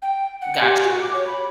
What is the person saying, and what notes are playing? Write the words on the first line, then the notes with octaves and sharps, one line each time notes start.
Got you.
G5
F#5
G4
F#4
D6
C#5
B5